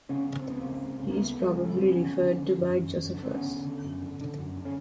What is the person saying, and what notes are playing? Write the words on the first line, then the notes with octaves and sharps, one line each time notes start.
He is probably referred to by Josephus.
C#3 B3 C#4
C#3 C#4
C4
C#2
B3
C#3 A#3 C4
C#2
C#3
A#3
C#2 A3 B3
C#2
G3 A3
C#3 G#3
G3 A3
C#3
C4
D3 B3 C#4
D3
D3
D3
F#2
F#2
F#2
D3
C4
D3 B3 C#4
D3
D3
F#2
D3
D3
F#2
D3
C#4